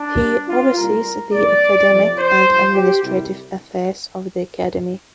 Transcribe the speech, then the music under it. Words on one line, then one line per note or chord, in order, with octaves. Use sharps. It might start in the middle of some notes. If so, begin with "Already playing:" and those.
He oversees the academic and administrative affairs of the academy.
Already playing: D4
G2 G3
F4
C2 A#2 G3 A#4
C2 A#2 F3 D5
F2 C3 F3
C5
G2 F3
G4
C2 C3 G3